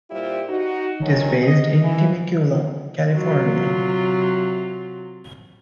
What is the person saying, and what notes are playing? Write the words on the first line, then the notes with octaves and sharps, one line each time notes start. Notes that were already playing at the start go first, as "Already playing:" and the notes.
It is based in Temecula, California.
A#2 G3 E4 F4 G4 C5
D#4 F#4
E2 D#3 F#3 G#3 C#4
D#5
E3
C3 F#3 F4